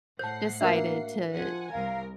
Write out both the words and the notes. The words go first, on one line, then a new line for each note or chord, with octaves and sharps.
decided to
A2 C5 F#5 A5 G6 C7
A#3 D4 F#4 A#4 E5
F3 F#5 G#5
C2 A#4 F5